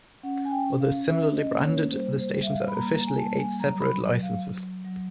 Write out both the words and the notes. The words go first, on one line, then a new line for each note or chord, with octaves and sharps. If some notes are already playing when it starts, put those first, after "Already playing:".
Although similarly branded, the stations are officially eight separate licenses.
C#4 F#5
G#5
G5
C#4
F5
C#4 E5
D#5
A#3
C#5
G3 C5
C5
G3
E5
F5
B5
A#3 A#5
A#5
G#5
G3 A5
G#5
F#3 A#5
B5
F#3
F5
F#3
F#3